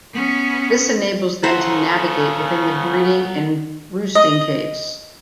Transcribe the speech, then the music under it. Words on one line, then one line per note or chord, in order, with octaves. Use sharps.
This enables them to navigate within the breeding and roosting caves.
B3 C#4
C#3 B3 A4 C5 E5 F#5 A#5
D#5